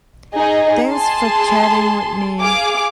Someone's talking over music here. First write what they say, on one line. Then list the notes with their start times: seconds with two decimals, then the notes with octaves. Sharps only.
Thanks for chatting with me.
0.35 D#4 G#4 D#5
0.89 G#4 A5 C6
2.41 G#4 F5 D6